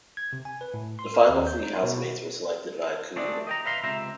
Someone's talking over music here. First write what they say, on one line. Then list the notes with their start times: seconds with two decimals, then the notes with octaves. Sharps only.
The final three housemates were selected via Kumu.
0.17 G#6
0.33 C3
0.45 G#5
0.61 B4
0.74 A2
0.99 C6
1.14 A#4
1.29 D#2
1.47 G6
1.63 D#4
1.83 B2
2.00 F#4
3.16 F3 A3 C4 D4 G#4 D5
3.47 D#5 G5 A#5
3.65 B4 E5 F5 A#5 C6
3.84 C#2 C3 C5 E5 A#5